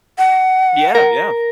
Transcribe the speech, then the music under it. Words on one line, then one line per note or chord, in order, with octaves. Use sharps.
Yeah, yeah.
F#5
A#4